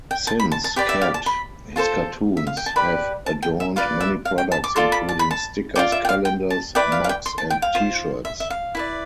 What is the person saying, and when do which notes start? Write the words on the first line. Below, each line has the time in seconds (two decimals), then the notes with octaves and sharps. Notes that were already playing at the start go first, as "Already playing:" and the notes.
Since "Cat", his cartoons have adorned many products including stickers, calendars, mugs, and t-shirts.
0.11 G5
0.27 A5
0.40 B5
0.52 A5
0.64 A5
0.76 G4 B4 D5 G5
0.89 E5
1.02 F5
1.14 A5
1.26 B5
1.76 F4 A4 C5 A5
2.37 E5
2.47 F5
2.57 G5
2.66 A5
2.76 G4 B4 D5 B5
3.26 A5
3.43 G5
3.60 E5
3.76 F4 B4 D5 F5
4.01 E5
4.25 F5
4.38 G5
4.52 A5
4.64 D6
4.76 F4 A4 D5 C6
4.92 B5
5.09 A5
5.19 B5
5.31 A5
5.76 F4 A4 D5 G5
5.92 E5
6.05 G5
6.09 F5
6.25 G5
6.50 A5
6.75 E4 B4 D5 G5
6.92 F5
7.04 F5
7.09 G5
7.26 C6
7.38 A5
7.50 G5
7.62 F5
7.75 F4 C5
8.25 E5
8.40 E5
8.50 F5
8.75 E4 B4 D5